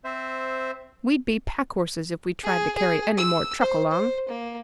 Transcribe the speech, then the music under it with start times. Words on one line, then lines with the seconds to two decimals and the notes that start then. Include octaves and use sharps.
"We'd be pack horses if we tried to carry any more truck along."
0.04 C4 C5 E5
2.43 G#4
2.76 G#4
3.17 E6
3.61 C5
3.91 C5
4.29 A#3